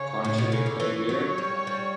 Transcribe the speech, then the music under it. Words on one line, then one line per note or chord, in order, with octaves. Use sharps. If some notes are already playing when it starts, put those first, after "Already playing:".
Can't you make them hear?
Already playing: C#3 C#5
A2
B2
C#3
D3
E3 C#5
F#3
G3
G3